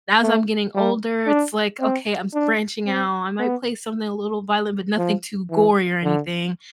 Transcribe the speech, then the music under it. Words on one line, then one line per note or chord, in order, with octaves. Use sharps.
as I'm getting older, it's, like, okay, I'm s branching out, I might play something a little violent, but nothing too gory or anything,
A3
G3
D4
C4
D4
C4
B3
F3
E3
D3